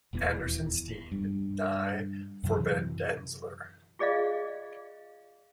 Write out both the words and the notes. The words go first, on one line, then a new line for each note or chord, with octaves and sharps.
Andersen, Steen: Nye forbindelser.
D#1 E2 E3 B3
G2
F#2 C3 E3 F#3
F4 G#4 D5 D#5 F5